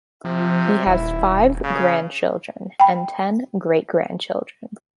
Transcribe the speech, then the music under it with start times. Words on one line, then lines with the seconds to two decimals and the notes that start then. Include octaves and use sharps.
He has five grandchildren and ten great-grandchildren.
0.25 C3 F3
0.87 D#1 E4
1.63 C#3
2.80 G5 B5